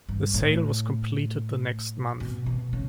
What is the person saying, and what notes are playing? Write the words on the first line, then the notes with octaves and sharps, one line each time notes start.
The sale was completed the next month.
G2
A2
B2
B2
C#3